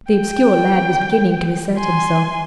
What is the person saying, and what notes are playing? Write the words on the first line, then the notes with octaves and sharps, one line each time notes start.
The obscure lad was beginning to assert himself.
G5
G#5 C6